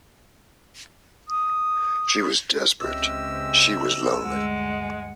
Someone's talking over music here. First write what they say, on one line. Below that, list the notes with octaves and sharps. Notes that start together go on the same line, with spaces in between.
She was desperate, she was lonely.
D#6
C#2 C4 C#4 G4 D#5 E5 E6
D2 G2 G#3 F#5